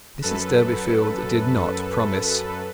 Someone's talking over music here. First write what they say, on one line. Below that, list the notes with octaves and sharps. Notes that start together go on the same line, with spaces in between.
Mrs Durbeyfield did not promise.
F#2 A4 B4